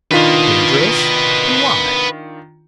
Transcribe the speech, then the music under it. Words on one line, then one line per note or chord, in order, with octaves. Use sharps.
"Dangerous!--and why?"
D#3 D4 F4 B4 D#5